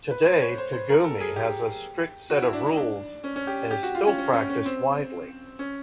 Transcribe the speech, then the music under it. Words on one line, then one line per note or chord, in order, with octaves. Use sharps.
Today, "tegumi" has a strict set of rules and is still practiced widely.
B4
C5
C#5
C5
C5
A#4
A4
G#4
G4
F#4
E4
D4
D#4
D4
C#4
C#4
G4
G4
F#4
F4
C#4
C#4
C#4
C#4
C4
C#4